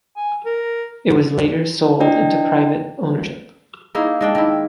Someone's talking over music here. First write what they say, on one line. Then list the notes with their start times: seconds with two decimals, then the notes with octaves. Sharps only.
It was later sold into private ownership.
0.16 G#5
0.45 A#4
2.00 D4 E4 D5 D#5 G5
3.95 A#3 D#4 E4 G#4
4.21 G#3 D4 G5
4.35 D#3 E4